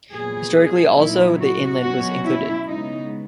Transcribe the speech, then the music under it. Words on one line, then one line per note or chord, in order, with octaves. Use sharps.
Historically also the inland was included.
A#2 F#3 B3 G#4
G#4
A#2 F#3 B3 D#4 E4
F#4
B2 F#3 C#4 F#4
E4
C#3 G#3 B3 D#4